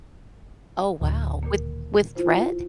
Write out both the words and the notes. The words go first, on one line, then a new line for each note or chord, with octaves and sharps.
Oh, wow! With with thread?
D1
A#2 D#3 A#3
E4 F4 C5